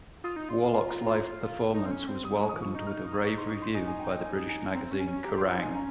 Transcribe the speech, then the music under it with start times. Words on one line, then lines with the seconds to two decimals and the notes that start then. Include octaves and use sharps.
Warlock's live performance was welcomed with a rave review by the British magazine Kerrang!
0.24 F4 D#6
0.36 D#4
0.49 F4 C6
0.74 C6
0.87 A#5
1.00 A#5
1.07 C6
1.12 A#5
1.74 D#4
1.86 C4
1.91 C#4
2.08 C4
2.24 G3 D#6
2.37 C#6
2.42 G#3
2.49 D#3 D#6
2.58 F3 C#6
2.74 D#4 C#6
2.87 F6
3.12 D#6
3.25 C#6
3.37 C6
3.49 C#6
3.62 C6
3.75 D#4 G#5
3.87 G#5
3.99 G5
4.12 G5
4.24 G#5
4.49 G#5
4.75 C4 A#5
4.91 C#4
4.99 G#5
5.07 C#4
5.24 G4 A#5
5.38 F4 C6
5.49 A#5
5.58 D#4 G#5
5.75 C#4 A#5